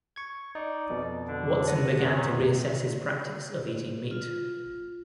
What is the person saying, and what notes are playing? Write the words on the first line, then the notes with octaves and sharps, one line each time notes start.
Watson began to reassess his practice of eating meat.
C#6 G#6
D#4 D5
F2 B2
D3 D4
F#5 D#6 A#6
F#2 D#3
F4